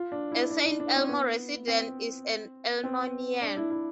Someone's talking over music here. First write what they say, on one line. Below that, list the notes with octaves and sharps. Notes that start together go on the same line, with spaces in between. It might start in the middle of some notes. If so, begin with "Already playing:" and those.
A Saint Elmo resident is an 'Elmoian'.
Already playing: F4
D4
E4
D4
D4
D4
C4
B3
C4
C4
D4
E4
E4